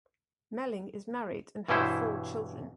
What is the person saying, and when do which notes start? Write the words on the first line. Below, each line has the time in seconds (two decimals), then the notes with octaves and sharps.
Meling is married and have four children.
1.68 G2 B2 E3 C#4 E4 C5